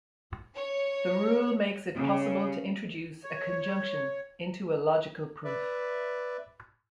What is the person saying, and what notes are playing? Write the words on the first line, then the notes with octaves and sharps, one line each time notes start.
The rule makes it possible to introduce a conjunction into a logical proof.
C#5
C#3
C#5
B4 D5 E5